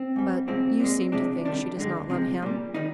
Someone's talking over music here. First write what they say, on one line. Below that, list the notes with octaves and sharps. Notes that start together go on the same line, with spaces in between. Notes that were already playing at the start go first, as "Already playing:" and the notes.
"But you seem to think she does not love him!"
Already playing: C4
G#2 G3
F2 C3 F3 G#3 C4
A#2 G#3
C3 F3 G#3 D4
C3 D#3 G3 D4
G2 D3 G#3
C3 F3 G#3
A#2 G3
D#3 G3 D#4